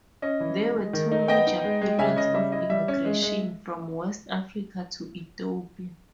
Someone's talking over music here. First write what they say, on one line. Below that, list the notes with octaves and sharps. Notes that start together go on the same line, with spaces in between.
There were two major periods of immigration from West Africa to Ethiopia.
C#4 D#5
E3
G#3
G#3
D#3
D#4
B3 D#5 G5
D#4
G#3
G#3
C#3 E5 G#5
C#3 D#5
G3 E5
E4 D#5
G3 E5
C#4
G#3
G#3